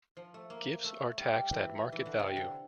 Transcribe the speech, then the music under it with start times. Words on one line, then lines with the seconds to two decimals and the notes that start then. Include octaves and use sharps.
Gifts are taxed at market value.
0.17 F3
0.34 A3
0.50 A#3
0.84 A3
1.18 G3
1.52 E3
1.92 E3
2.05 D3
2.19 C3
2.36 D3